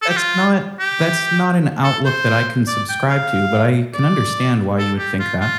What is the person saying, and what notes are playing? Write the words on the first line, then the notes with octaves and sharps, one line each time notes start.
that's not that's not an outlook that I can subscribe to, but I can understand why you would think that.
A4
G4
F4
G4
A4
C5
D5
G5
F5
D5
A4
G4
F4
F4